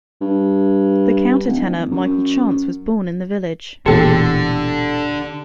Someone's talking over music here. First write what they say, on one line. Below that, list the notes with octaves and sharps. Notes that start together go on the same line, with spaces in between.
The countertenor Michael Chance was born in the village.
G2
D1
F#2
E1 E2 A#2 D3 G4 A4 G5 A5